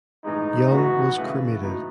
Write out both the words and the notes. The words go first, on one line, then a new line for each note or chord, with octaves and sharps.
Young was cremated.
A2 E3 G#3 D#4
A1 A2 E3 B3 D#4 F#4
C#3 E3 A3 E4 B4
A2 F#3 B3 D#4